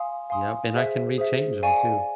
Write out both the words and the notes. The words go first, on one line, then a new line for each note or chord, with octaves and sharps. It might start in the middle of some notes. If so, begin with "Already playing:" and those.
Yep, and I can rechange ‘em too.
Already playing: F5 G#5 C6 D#6
F5 G#5 C6 D#6
G#4 C5 E5
G#4 C5 E5
D5 F5 G#5 C#6